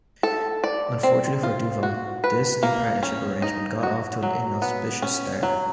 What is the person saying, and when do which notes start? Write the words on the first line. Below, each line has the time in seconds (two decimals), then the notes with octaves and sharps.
Unfortunately for Duval, this new partnership arrangement got off to an inauspicious start.
0.23 A4
0.64 D5
1.03 C4
1.43 F4
1.83 F#4
2.24 B4
2.63 A#3
3.03 C#4
3.42 D#4
3.83 F#4
4.23 F#3
4.62 B3
5.02 C#4
5.43 F#3